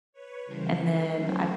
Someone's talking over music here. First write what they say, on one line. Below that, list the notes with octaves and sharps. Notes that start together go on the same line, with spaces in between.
and then I've
B4 C#5
C#3 E3 G3 A#4 C5
A4 B4
C#3 F#3 A3 C#4 A#4 C5